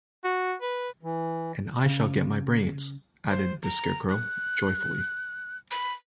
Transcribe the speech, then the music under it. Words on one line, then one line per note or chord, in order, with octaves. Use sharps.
"And I shall get my brains," added the Scarecrow, joyfully.
F#4
B4
E3
C#3
C5
A#5
F#6
B5